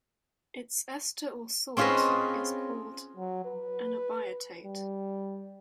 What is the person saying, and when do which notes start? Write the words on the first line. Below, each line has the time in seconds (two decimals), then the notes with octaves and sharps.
Its ester or salt is called an "abietate".
1.77 C4 C#4 F4 G#4 B4 D#5
3.17 F#3
3.46 B4
4.65 G3